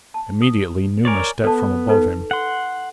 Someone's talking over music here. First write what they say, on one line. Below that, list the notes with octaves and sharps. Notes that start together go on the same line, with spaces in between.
Immediately Numa stepped from above him.
A5
D#6
A#4 C#5 D5 G#5 D6
B3 A4 D5 A5
D#4 A4 B4
F#5 C6